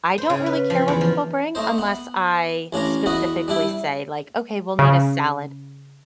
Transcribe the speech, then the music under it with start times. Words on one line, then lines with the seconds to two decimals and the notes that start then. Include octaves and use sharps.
I don't really care what people bring unless I specifically say, like, "Okay, we'll need a salad."
0.18 C5
0.30 C#3
0.46 B4
0.70 F3
0.88 E2
1.01 F3
1.55 A3 D#4 C5
1.78 B3
2.73 A1 C#4 D4 F5 A#5
3.06 E2 B3 F#4 D#5
3.48 G3 D4 E4 G4
4.79 C#3